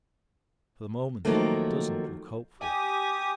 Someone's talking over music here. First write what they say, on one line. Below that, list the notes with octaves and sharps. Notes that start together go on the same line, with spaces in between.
For the moment it doesn't look hopeful.
D#3 F3 F#3 A3 A#3
G4 G#5 D#6